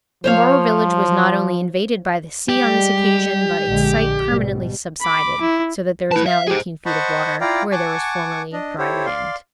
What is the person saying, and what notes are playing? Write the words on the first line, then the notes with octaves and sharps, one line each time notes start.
Tomboro village was not only invaded by the sea on this occasion, but its site permanently subsided; so that there is now eighteen feet of water where there was formerly dry land.
F3 C5 C#5 F5
G3 G#3 G4
A#1 D3 G#3
G#2 B2 G3
B5 D6
E4
E4 B4 A5
E5 F5
G4 G#4 C5
C5 D#5 F#5 A5 B5 C#6
E4 F4 D5 F5 G5 A#5
F#5 G#5 A5 C#6 D6
D4 D#5
E4 G4 A4 C5 C#5
D5 F5 C6